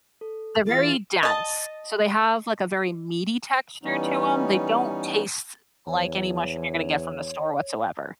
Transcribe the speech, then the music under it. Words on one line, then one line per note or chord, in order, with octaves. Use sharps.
they're very dense, so they have, like, a very meaty texture to 'em. They don't taste like any mushroom you're gonna get from the store whatsoever.
A4
E3 F4 G#4 A6
D#5 A5
E3 G3 B3 C#4 D#4
E2 C#5